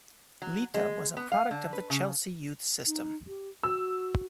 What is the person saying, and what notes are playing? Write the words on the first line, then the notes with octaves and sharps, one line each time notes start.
Lita was a product of the Chelsea youth system.
F#3
G#3
B3
F5
D3
B4
C#3
D#4
G4
F#4 E6